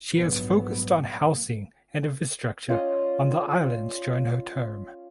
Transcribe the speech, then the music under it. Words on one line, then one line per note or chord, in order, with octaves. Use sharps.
She has focused on housing and infrastructure on the islands during her term.
A#1 G#2 F#3 B3
C#4 F4 D5 D#5